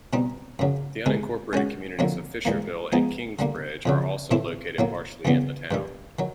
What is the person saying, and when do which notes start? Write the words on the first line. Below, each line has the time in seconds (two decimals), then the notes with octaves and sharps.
The unincorporated communities of Fisherville and Kingsbridge are also located partially in the town.
0.13 B2 G3 C4 D#4
0.59 F#2 C#3 F#3
1.06 C3 D#3 G#3
1.53 G#3 C#4 F#4
1.99 F2 D3 F#3 A#3
2.45 G#2 E3 G3 A#3
2.92 F3 G#3 B3 D#4
3.39 D3 G3 A#3
3.86 F2 C#3 F#3
4.31 A2 E3 A3 C4 E4
4.78 A2 F#3 A#3
5.25 F#2 C#3 E3 G3 B3
5.71 G2 D#3 G3
6.19 D#3 F#3